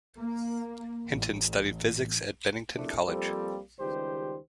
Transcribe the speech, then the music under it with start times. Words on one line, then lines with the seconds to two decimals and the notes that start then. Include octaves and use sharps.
Hinton studied physics at Bennington College.
0.16 A#3
1.08 A1
2.76 A#1 C3 A3 D4 E4
3.06 F3 G3 A#3 C4 A4
3.80 C#2 D#3 G3 G4 C5